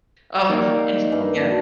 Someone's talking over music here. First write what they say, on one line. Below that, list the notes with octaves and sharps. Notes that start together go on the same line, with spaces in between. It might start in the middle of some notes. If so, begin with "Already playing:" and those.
Oh, eh, yeah.
A#3 D#4 A#4 D5
G2 E4
D4 F#4